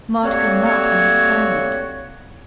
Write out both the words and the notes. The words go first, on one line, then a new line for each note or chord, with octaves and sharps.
Maud could not understand it.
G3 A3 A#3 C4 F#4 C#5